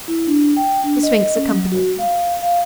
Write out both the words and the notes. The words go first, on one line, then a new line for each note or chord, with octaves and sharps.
The Sphinx accompanied him.
E4
D4
G5
D4
D#5
C#4
F#3
F#4
F5
F5